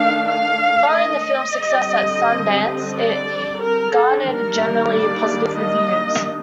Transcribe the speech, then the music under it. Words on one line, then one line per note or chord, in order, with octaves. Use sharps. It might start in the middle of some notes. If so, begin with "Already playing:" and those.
Following the film's success at Sundance, it garnered generally positive reviews.
Already playing: D#3 A3 D4 F5
F5
D#5
D3 G3 C4
D5
A#4
A4
D#3 G3 A#3 D4 A#4
D5
D#5